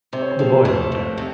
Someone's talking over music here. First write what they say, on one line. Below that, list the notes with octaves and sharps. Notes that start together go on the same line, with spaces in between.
The boy looked at him.
C3 C5
C#5
C5
F3
B4
A3
F2 C5
C3